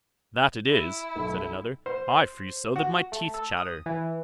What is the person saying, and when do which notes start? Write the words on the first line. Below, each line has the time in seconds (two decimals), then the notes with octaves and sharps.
'That it is', said another; 'I freeze so, that my teeth chatter.'
0.71 E4
1.16 B1
1.86 C5
2.76 F#4
3.12 A3
3.34 A4
3.57 D#6
3.86 E3